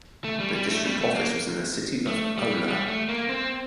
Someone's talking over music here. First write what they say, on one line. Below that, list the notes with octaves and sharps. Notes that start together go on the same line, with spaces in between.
The district office was in the city of Ohlau.
A3
G3
G3
A3
G3
A3
A#3
A3
G3
G3
A3
A#3
C4